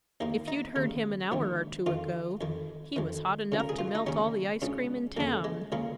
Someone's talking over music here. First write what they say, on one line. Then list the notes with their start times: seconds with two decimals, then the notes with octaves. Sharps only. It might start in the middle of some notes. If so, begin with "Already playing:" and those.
If you'd heard him an hour or two ago, he was hot enough to melt all the ice-cream in town.
0.20 D#2 D#3 A#3
0.48 D#4
0.76 D#2 C#3
1.32 A#1 G#2 D#3
1.86 F2 D#3 F4
2.41 F2 D#3
2.96 F2 D#3
3.52 C#2 C#3
3.60 A#4
3.69 G#4
3.79 F4
3.95 D#4
4.07 D#2 C#3 C#4
4.62 C#2 C#3
5.17 F2 A#3
5.20 C#3
5.44 G#3
5.72 C#2 C#3 A#3